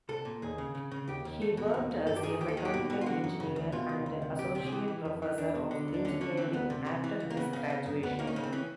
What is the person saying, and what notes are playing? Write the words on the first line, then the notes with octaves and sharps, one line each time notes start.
He worked as a mechanical engineer and associate professor of engineering after his graduation.
C2 A4
A#2
D#2 G#4
C#3
C#3
C#3
D#2 G4
D#2
E2 A4
B2
D#2
D#2
G2 A4
G4
D#3 G#4
D#2 G4
A4
D#3 G#4
G4
B2
B2
F4
D3 F#4
F#2
C#3
D2
B2 F4
C2
D2
C3
D2 G4
C3 G4
G#4
E3 G4
E3
F2
E3
E2 D4
B2
D3
D#2
D4
D3 C#4
D3 C#4
E3 C4
D2 B3
C3
C3
E3
C#2
A#3
C#3 B3
C#3
C#3
F#2
D2 B3
D#3 A#3
C#4
C#3 A#3
C4
E3 C#4